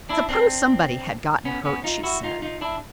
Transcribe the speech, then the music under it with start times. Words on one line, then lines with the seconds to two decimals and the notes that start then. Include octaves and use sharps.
"Suppose somebody had gotten hurt," she said.
0.09 D4 E4
0.29 C4 D4
1.45 B3 C#4
1.65 B3 C#4
1.84 D#4 F4
2.03 E4 F#4
2.23 D#4 F4
2.42 D#4 F4
2.61 D4 E4